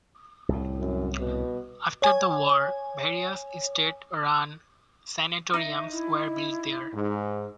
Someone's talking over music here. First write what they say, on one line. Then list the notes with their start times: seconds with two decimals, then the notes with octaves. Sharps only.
After the war, various state-run sanatoriums were built there.
0.49 C2 A2
0.79 F#2
1.20 B2
2.02 C#5 G#5
5.54 D#4 E5
5.92 E4
6.92 G#2